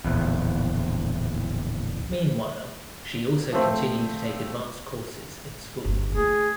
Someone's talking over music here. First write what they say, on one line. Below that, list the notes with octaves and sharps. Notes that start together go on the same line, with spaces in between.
Meanwhile, she also continued to take advanced courses in school.
D1 A#1 E2
F3 A3 C4
G1 G2
A3 F4 G#4